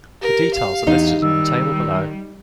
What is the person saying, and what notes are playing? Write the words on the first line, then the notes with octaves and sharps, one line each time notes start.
The details are listed in the table below.
G4 A#4
F5
E2 D#4
D#3 G3 E6